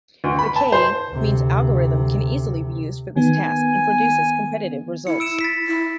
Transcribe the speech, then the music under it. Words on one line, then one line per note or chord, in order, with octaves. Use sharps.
The "k"-means algorithm can easily be used for this task and produces competitive results.
D2
B5
A5
C5
D2 C3
D#3 B3 G#5
E4 C#7
E6 D7 E7
A6 B6
E4